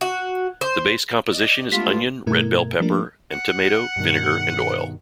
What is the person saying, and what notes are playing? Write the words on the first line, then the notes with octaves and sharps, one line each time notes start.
The base composition is onion, red bell pepper and tomato, vinegar and oil.
F#4
C5
D5 D#5
G#3 A3 B3 D4 F4 G4 B6
G2 B2 A3 E4 A#4 G#6
F3 G3 A3 A#3 D4 A#4
F#5
G2 B2 D#3